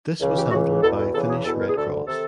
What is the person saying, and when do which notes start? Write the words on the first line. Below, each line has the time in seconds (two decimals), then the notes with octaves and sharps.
This was handled by Finnish Red Cross.
0.20 C#2 C#3 E3
0.35 G4
0.51 C#2 C#3 E3 F#4
0.83 E2 B2 A4
0.98 A4
1.13 E2 C#3 E3 A4
1.29 G#4
1.45 E2 B2 A4
1.60 A#4
1.69 G#4
1.75 D2 D3 A4
2.07 C3 D#3 A4